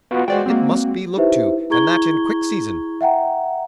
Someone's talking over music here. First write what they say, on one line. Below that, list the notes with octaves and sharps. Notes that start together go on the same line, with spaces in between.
It must be looked to, and that in quick season.
B3 F4 F#4
G#3 F#4 C5 D5 G5
A#3 C4
D#4 E4 G4 B4 C5 E5
E4 G#4 A#5 C#6 G#6 G7
E5 F#5 G5 A#5